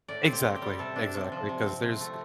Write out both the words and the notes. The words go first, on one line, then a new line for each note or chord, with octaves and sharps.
Exactly, exactly. 'Cause there's
A2 D5
C4
G4
A2
G4
G3
C3 A4
D4
C3
F3
C3
C4
C3
A3